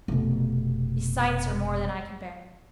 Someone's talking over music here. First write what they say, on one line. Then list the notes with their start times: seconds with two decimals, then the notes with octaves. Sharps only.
These sights are more than I can bear.
0.08 F1 B2